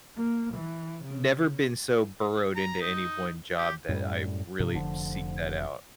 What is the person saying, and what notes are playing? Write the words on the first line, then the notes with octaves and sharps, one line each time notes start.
never been so burrowed into any one job that I really seek that out.
A#3
E3
C#3
A#5
D#4
G4
F#2 A2 G3
G2 C3 F3
F1 D3 F3